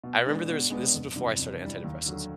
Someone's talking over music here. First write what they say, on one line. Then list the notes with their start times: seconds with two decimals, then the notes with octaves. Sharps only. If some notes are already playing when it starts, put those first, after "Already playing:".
I remember there was this is before I started antidepressants.
0.04 B2
0.25 G#3 B3 D4
0.48 B2
0.70 G#3 B3 D4
0.93 F2
1.16 C3 E3 G3
1.39 F2
1.61 C3 E3 G3
1.84 D#2
2.06 D3 F#3